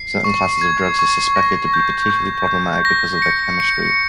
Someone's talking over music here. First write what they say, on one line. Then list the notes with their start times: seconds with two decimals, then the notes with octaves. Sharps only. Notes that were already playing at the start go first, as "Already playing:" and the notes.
Certain classes of drugs are suspected to be particularly problematic because of their chemistry.
Already playing: C7
0.24 C#6
0.61 G#6
0.99 C#6
1.36 A#6
1.74 G6
2.10 G6
2.48 G6
2.85 A#6
3.22 C#7
3.60 C#7